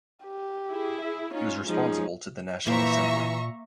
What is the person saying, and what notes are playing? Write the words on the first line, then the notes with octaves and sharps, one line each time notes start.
He was responsible to the National Assembly.
G4
E4 G#4
E5
C#4 D#4 F4 C#5
F3 G#3 C#4 D#4 G#4
A#2 E3 A#3 C5 E5 A#5 C#6